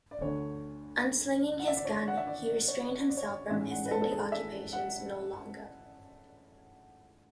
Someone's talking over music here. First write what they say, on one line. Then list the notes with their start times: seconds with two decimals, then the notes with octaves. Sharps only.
Unslinging his gun, he restrained himself from his Sunday occupations no longer.
0.11 D5
0.21 D2 D3 A3 C#5
1.59 F#5
1.68 E5
1.77 D5
1.85 C#5
2.08 F#5
2.17 E5
2.27 D5
2.68 C#5
3.09 D5
3.17 C#5
3.25 D5
3.50 A1 G#2 G#3 E5
3.71 F#5
3.86 B4
3.91 A4
4.02 A4
4.11 G#4
4.32 E5
4.73 F#5